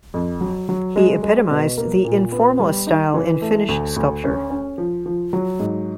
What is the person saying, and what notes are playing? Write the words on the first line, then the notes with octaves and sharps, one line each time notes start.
He epitomised the Informalist style in Finnish sculpture.
F2
F#3
F#3
G#3
G#3
B2
A#3
A#2
B3
G3
D#4
E3
A3
D2
D2
C#4
C#4
F3
F3
F#3
G#2